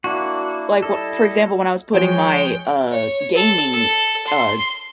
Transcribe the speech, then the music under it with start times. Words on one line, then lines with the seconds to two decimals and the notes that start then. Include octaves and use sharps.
like wh for example, when I was putting my, uh, gaming, uh,
0.04 A#3 D4 E4 F#4
0.82 G3 E4 A4 D#5
1.94 F3 G#3 C#5 G5
2.91 C#5
3.36 A4
3.73 A4
4.27 C6